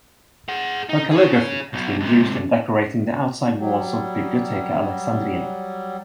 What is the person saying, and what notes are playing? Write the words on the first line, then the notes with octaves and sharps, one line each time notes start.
Her calligraphy has been used in decorating the outside walls of Bibliotheca Alexandrina.
G#4 F#5
D#4
G#4 C#5
B1 B2
G#2 C3
F#3 G3